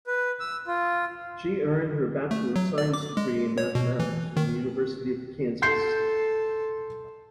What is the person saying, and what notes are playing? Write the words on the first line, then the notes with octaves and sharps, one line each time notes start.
She earned her Bachelor of Science degree in Mathematics from the University of Kansas.
B4
E6
F4
A3
F#3
D5
D6
G#3
C#5
B2
E3
D#3
A4 C6 G6 C7